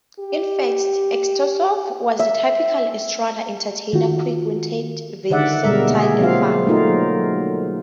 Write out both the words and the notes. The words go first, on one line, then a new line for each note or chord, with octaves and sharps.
In fact, Utesov was the typical "estrada" entertainer - quick witted, versatile, and funny.
G4
E5
D#3 F4 F#4
D3 D#3 D5 E5 F#5
B2 G3 G#3 A#4 E5
A#3 G#4
F#3 A#3 C4 F4 F#4 F5
A3 A#3 D#4 F4 A#4
F#3